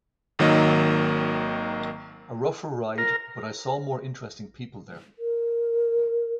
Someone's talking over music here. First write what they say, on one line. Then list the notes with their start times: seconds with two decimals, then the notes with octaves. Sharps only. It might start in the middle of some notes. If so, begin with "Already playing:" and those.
A rougher ride but I saw more interesting people there.
0.39 G#1 D#3 F#3 A#3 D#5
2.98 A#4
5.19 A#4